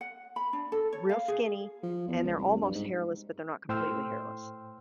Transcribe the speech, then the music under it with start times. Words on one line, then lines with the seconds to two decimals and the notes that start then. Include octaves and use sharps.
real skinny, and they're almost hairless, but they're not completely hairless.
0.01 F#5
0.36 B5
0.53 D4
0.72 A4
0.93 C#5
1.09 F5
1.28 G#4
1.83 F3
2.08 E2
2.24 C#2
2.37 C2
2.61 G2
2.75 G#2
3.69 A2 C5 G5 C6 E6 F6